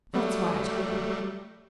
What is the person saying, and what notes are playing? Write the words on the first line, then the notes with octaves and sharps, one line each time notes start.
That is why I told him...
F#3 G3 A3